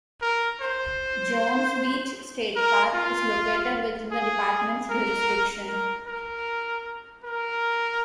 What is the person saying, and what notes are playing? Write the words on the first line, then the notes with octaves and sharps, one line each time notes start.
Jones Beach State Park is located within the department's jurisdiction.
A#4
C5
A#4
F4
G#4
A#4
A#4
A#4
A#4